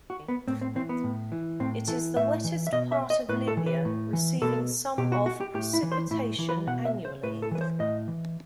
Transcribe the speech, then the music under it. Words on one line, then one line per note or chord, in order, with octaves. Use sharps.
It is the wettest part of Libya, receiving some of precipitation annually.
F#4
B3
A2 C4
C4
E3 C4
B3
A2
E3
A2 C4
E3 A4
A2 E5
E3
E5
B2 D#5
E5
D#5
A2 B4
A4
E3
B4
A2
E3
B2 A4
B2 G4
F#4
F#4
G4
A2 G4
E4
E3
C5
A2 E4
E3
B4
B2 F#5
E5
C5
A2 B4
A4
E3 B4
C5
A2 D#5
E3